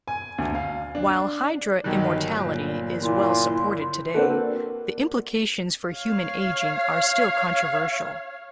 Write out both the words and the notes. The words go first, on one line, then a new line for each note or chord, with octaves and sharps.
While "Hydra" immortality is well-supported today, the implications for human aging are still controversial.
G#5
D2
F5
D4
G1 D#3 F#3 G3
A#2
A#2 E4 C6
A#3 C4 D4 F#4 A4 B4
C#5 F5